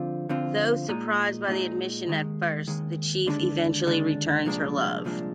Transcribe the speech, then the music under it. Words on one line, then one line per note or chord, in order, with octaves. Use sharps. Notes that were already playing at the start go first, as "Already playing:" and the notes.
Though surprised by the admission at first, the Chief eventually returns her love.
Already playing: D3 F3 C4 F4
D3 F3 C4 F4
A#2 G#3 D#4
A#2 G#3 D#4
D#2 D#3 G#3
D#2 D#3 G#3
D#2 D3 G#3 D4
D#2 D3 G#3 D4
C2 A#2 F3 G#3 D4
C2 A#2 F3 G#3 D4